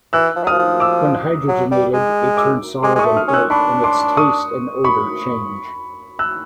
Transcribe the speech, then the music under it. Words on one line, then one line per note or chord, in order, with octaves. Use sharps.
When hydrogenated, it turns solid and white and its taste and odor change.
E3 E6 F#6
F3
F#3
F3 D#6 F6
F3
D6 E6
F#3
G3
G#3
D6 E6
G#3 C6 D6
G#3 C#6 D#6
A3
D#6 F6
C#4
E6 F#6
D4 B5 C#6
C6 D6
C#6 D#6
B5 C#6
E6 F#6